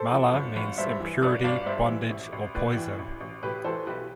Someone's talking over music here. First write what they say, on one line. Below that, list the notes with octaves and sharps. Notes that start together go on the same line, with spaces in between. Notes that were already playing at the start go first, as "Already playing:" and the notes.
Mala means impurity, bondage or poison.
Already playing: A4 C5
F3
G1
G1
G2 C5 E5
E3
G1 B4 D5
G1 D5 F5
G2 C5 E5
E3
A1
A1
A2 B4 D5
E3
A1
A1
A2 G4 B4
E3 A4 C5
B1 G4 B4